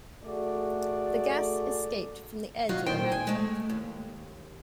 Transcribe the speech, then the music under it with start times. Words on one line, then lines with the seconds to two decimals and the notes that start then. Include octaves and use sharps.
The gas escaped from the edge of the manifold.
0.24 A3 F#4 G#4 A4 D5
2.69 D#3 F#3 D#4 F4 F#4 F5
2.86 D2 A#2 D#3 C5 G5
3.12 G#5
3.27 G#3 A3
3.70 D#2